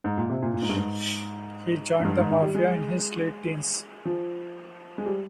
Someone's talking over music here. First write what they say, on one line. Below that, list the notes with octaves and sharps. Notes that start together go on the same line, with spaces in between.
He joined the Mafia in his late teens.
G#2
A#2
C3
A#2
A#2
G#2
G2
G#2
G#2
G2
G#2
D#3
G3
G#3
F3
G#3
G3